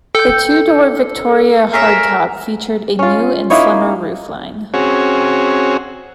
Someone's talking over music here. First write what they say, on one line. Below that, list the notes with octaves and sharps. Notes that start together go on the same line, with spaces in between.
The two-door Victoria hardtop featured a new and slimmer roofline.
A4 G5 G6
G#4 A#4 C#5 E5
C#4 F4
A#3 D#4 E4 C#5
C4 C#4 F#4 G#4 C#5